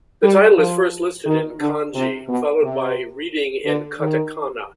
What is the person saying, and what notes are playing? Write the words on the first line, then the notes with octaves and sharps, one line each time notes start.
The title is first listed in kanji, followed by reading in katakana.
G3
F3
D#3
D3
C3
B2
C3
D3
D#3